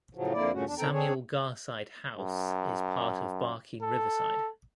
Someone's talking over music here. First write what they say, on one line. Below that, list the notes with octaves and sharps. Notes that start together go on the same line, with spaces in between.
Samuel Garside House is part of Barking Riverside.
A2 C#3 F3 F#3
F2 D3 A#3 E4 D5
G2 A#2 C#3 A3 C#4 F#4
E2 D4
B2 D#3 C4 A4 G5 A#5
C4 D4 G#4 C#5
F#2
A4